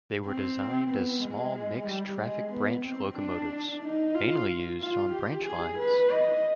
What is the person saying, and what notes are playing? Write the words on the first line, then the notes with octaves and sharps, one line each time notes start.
They were designed as small mixed traffic branch locomotives, mainly used on branch lines.
C4
B3
G#3
G3
G#3
B3
C4
D4
D#4
F4
F4
G4
G#4
B4
D#5